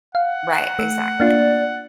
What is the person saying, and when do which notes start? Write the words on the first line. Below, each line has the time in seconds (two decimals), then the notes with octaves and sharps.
Right, exactly.
0.15 F5 F#5
0.79 A3
1.20 A#3 D4 F4 D5